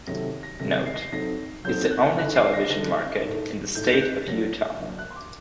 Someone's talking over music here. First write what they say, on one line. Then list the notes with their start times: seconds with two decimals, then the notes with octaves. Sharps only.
Note: is the only television market in the state of Utah.
0.07 C3 D#3 F#3 A3 A#6
0.43 A#6
0.60 C3 D#3 F#3 A3 A#6
0.86 C7
0.94 A#6
1.02 C7
1.12 F#3 A3 C4 D#4 A#6
1.65 F#3 A3 C4 D#4 G6
1.91 F#6
2.18 D3 A3 D#4 F#6
2.35 C7
2.46 C7
2.53 A#6
2.70 D3 A3 D#4 A#6
3.23 A2 A3 D#4
3.75 A2 A3 D#4 G6
3.87 A6
3.94 G6
4.01 F#6
4.27 F#3 A#3 D4 A#6
4.80 F#3 A#3 D4
4.99 F#6
5.11 C6
5.16 D6